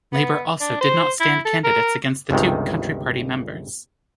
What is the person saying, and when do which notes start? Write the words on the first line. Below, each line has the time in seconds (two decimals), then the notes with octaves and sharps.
Labour also did not stand candidates against the two Country Party members.
0.13 B3
0.61 D4
0.81 C5
1.20 E4
1.45 A4
1.64 A#4
2.31 G1 C#2 C3 D#3